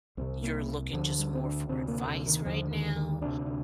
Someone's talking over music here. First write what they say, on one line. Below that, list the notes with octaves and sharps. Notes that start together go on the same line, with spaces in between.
you're looking just more for advice right now,
C2 C3 C4
A#3
D2 D3 F3
G3
C4
D4
D2 C3 C4
A#3
D3
D#3
D#2 D3 F3
D#3
D#3
D2 C3 D4
D4